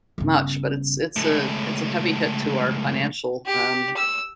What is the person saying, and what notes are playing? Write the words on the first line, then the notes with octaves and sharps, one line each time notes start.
much, but it's it's a it's a heavy hit to our financial, um,
G1 C#3
C#2 A2
G4
E6